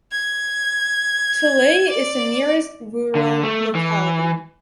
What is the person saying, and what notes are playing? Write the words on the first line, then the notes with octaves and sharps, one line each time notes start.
Tulay is the nearest rural locality.
G#6
D5
D3
A3
E3